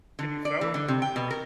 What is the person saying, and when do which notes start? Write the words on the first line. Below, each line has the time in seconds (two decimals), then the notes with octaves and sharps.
Can you sell 'em?
0.19 D3
0.45 D5
0.61 E3
0.74 D3
0.88 C3
1.02 G5
1.16 B2
1.31 A#4